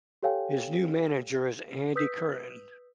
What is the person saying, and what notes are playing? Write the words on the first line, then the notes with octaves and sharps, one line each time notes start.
His new manager is Andy Curran.
G4 A4 C#5 F5 G5 G#5
B4 D#6 E6 G6 B6